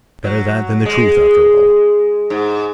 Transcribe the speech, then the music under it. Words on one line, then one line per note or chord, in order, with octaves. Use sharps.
Better that than the truth, after all.'
F#3
G#3
G#2